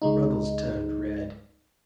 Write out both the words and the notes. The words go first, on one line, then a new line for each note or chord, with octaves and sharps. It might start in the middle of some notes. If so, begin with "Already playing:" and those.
Ruggles turned red.
C#2 G#3 D#4